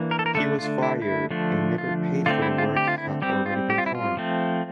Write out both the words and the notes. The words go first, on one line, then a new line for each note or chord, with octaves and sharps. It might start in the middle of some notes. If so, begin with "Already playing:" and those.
He was fired and never paid for the work he had already performed.
Already playing: E3 A#3 D4
A#4
A4
A#4
D3 A3 D4 A4
F4
E4
E4
D3 F3 A3 D4
F4
D3 A3 C4 F4
E4
F4
G4
F4
E4
G3 C4 G4
F4
G4
F4
E4
F4
F3 A3 C4